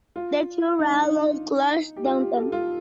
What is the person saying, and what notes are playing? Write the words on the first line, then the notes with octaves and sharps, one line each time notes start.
The two railroads cross downtown.
F4
D#4
D4
D#4
G4
F4
G4
A4
F4